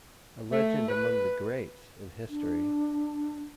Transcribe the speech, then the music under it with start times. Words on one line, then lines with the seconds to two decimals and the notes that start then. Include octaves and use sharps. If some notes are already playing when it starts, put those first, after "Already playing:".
A legend among the greats in history.
0.51 A3
0.89 B4
2.29 D4